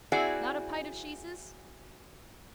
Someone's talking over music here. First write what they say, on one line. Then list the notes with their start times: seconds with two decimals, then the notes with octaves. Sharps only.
Not a pite of sheeses?
0.12 C4 E4 F#4 G#4 D5 F#5